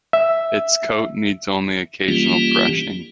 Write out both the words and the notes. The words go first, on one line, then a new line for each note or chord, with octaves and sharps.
Its coat needs only occasional brushing.
E5
E3 G3 A#3 C#4 F4 G4